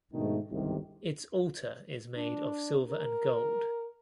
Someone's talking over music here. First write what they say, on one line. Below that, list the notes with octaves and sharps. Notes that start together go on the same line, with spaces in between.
Its altar is made of silver and gold.
G#2 B2 D#3 A3 D4 D#4
G1 C2 G#2 C3 D#3
D4
A#4